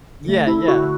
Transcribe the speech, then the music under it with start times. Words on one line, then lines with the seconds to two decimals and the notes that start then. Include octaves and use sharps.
Yeah, yeah.
0.25 D3 A3
0.47 E4
0.67 D3 A3 F#4